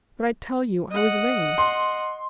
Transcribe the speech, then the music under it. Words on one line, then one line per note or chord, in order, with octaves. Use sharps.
"But I tell you I was lame."
D#5 F#5
C6